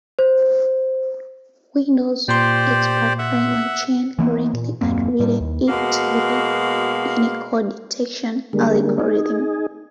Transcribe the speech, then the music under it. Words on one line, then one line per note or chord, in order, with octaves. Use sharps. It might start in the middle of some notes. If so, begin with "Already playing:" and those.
Windows expert Raymond Chen correctly attributed it to the Unicode detection algorithm.
C5
A#2 G4 C5 D5 C6
E5 F#5
E3 A#3 B3
A#2
D#1 F#2 A#3 C4
A2 G3
D#2
B2 G#3 A#3 F#4 F5
D3 G3 G#3 A#3
D#4 G#4